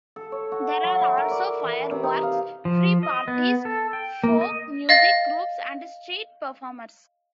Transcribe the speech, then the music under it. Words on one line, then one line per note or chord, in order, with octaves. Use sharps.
There are also fireworks, free parties, folk music groups and street performers.
A4
C#5
F#4
F#3
E4
A#4
D5
E3
C3
D#4
F5
F3
D#5
B3
A4
G5
A#3
D#5
D#5 F5 A6